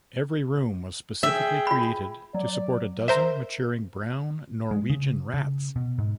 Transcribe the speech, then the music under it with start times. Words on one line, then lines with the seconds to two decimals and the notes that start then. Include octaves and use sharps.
Every room was specifically created to support a dozen matured brown Norwegian rats.
1.23 G#4 E5 G5
1.67 F4 B5
2.34 F#3 D5
3.08 A#4 C5 E5
4.71 G#3
4.90 C#3
5.34 C#3
5.76 B2
5.98 G#2